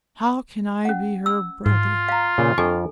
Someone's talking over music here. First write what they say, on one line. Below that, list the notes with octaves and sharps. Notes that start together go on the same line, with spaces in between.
How can I be her brother?
C#4 F#5
E6
G#2 F4
F5 A#5
A#2 C#3
F2 D4 A4 G#5 C#6